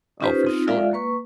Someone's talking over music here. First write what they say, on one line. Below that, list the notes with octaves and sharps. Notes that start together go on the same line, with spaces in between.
Oh, for sure.
C#4 D#4 F4 G4 B4 C5
C4 D#4 F4
G#3 F4 D5 E5 F5
A#3 B4 C#6